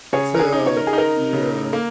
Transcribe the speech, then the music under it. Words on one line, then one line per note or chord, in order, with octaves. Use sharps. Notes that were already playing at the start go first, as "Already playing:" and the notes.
So, yeah.
C#3 G#4 C#5
A#4
G#4
D#4
C#5
A#4
G#4
D#4 A#4
C#3
A#3